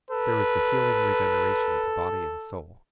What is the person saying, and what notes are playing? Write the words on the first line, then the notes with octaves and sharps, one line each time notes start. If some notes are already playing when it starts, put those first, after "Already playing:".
There was the healing regeneration to body and soul.
A4 B4